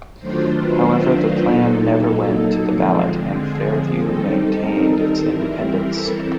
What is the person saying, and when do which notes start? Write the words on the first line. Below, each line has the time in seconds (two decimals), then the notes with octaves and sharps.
However, the plan never went to the ballot and Fairview maintained its independence.
0.19 D#3 F#3 A3 D4 F4 C5
0.51 B4
0.82 A#4
1.46 A#2 F#3 A#3 D#4 A4
2.72 D3 F3 G#3 C4
3.35 G#4
3.98 D#3 G3 C4 D#4 A4
4.62 A#4
5.24 E3 G3 C4 E4 A#4
5.88 A4